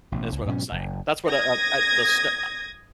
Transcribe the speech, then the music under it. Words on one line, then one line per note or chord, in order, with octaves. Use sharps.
That's what I'm saying. That's what, uh uh, the Sn uh,
A1 B2
C#2
G#2 B2 F#3 C#4
F#1
D#6 G#6 A#6